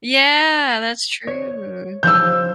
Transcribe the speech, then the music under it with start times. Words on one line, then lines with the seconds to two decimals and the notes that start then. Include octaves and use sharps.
Yeah, that's true.
1.27 C#5
2.03 F3 E6 G6